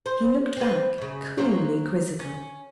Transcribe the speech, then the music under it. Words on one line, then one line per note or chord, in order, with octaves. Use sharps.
He looked back, coolly quizzical.
C5
C4 B4
F#2 C#3
F#3 A#3 C5
C#4